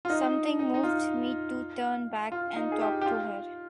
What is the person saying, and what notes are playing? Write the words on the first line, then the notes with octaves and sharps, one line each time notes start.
Something moved me to turn back and talk to her.
F4
D#4
D#4
D#4
F4
F4
D#4
G#4
G4
G4
F4